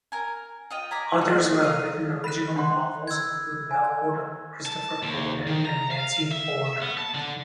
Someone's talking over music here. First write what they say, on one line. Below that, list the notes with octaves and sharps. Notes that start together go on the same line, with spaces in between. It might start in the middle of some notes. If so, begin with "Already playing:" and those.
Authors who have written original novels include Mel Odom, Christopher Golden, and Nancy Holder.
A#4 G#5
F4 D#5 G5
G#5 A#5 B5 D6
D#4 F#5
A#4 D#5 F5
B5 F#6
D4 F#5 C6
E6 G#6
G#5
A5
D#2
D#3
A#5
F5
E5
B3
A5
D3